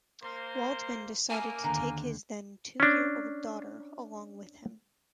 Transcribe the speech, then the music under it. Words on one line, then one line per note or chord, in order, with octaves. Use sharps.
Waldman decided to take his then two-year-old daughter along with him.
A#3 C5
F#3 A3 A#3 C#4 G#5
D#2 D3 G5 A#5
C#4 D4